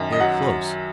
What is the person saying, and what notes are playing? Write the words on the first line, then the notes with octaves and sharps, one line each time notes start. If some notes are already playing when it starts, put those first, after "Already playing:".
They are close.
Already playing: F#2 D#3
D#5
F#3 F#5